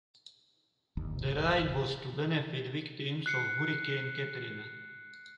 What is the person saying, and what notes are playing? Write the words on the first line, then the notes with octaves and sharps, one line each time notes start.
The ride was to benefit victims of Hurricane Katrina.
D1 G1 D#2
F#6 C7 C#7